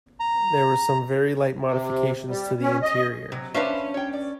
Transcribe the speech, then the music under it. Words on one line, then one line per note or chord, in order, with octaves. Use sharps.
There were some very light modifications to the interior.
A#5
C3
G3
C#4
D#5
C3 F#3
C#4 D4 B4 C5 E5 F5
C#5 G5
D5